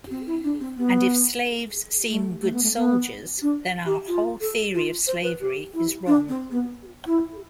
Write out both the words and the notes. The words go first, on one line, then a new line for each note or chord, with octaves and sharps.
And if slaves seem good soldiers, then our whole theory of slavery is wrong.
C4
E4
D4
C4
B3
A3
A3
B3
A3
B3
D4
G4
F4
A4
F4
C5
B4
G4
E4
D4
C4
B3
E4